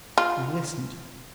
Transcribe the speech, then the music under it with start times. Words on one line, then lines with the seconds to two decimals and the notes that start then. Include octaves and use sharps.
We listened.
0.18 F4